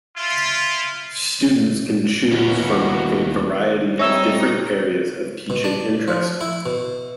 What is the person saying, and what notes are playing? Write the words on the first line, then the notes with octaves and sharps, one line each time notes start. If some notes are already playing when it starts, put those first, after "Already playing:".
Students can choose from a variety of different areas of teaching interest.
E4 F4
D#2 B2 C#4 E4 F#4
G3 C4 D#4 C#5 E5 E6
B2
D4
F3
E4
B2